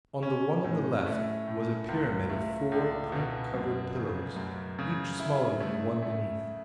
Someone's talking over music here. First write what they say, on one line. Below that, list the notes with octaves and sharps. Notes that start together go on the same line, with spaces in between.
On the one on the left was a pyramid of four print-covered pillows, each smaller than the one beneath.
C#4
A2
A3
A2
C#2
A3
C#2
B2
F#2
C#3
F#2
C#3
E4
A3
A3